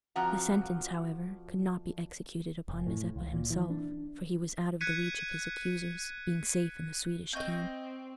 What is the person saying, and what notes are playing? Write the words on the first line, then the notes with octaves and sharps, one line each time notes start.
The sentence, however, could not be executed upon Mazeppa himself, for he was out of the reach of his accusers, being safe in the Swedish camp.
F2 F3 F#4 F#5 A#5
F1
A2
C#2
A#2
E3
D4
F#6 G#6 B6 C#7 D#7
C4 D#5 C#6 G6